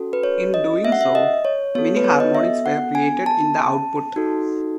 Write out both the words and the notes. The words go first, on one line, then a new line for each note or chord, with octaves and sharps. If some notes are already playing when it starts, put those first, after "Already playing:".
In doing so, many harmonics were created in the output.
Already playing: C#4 F#4 A4
B4
C#5
D#5
E5
F#5
E5
D#5
C#5
B3 F#4 A4 C#5
B4
C#5
D#5
E5
F#5
G#5
A5
D#4 F#4 A4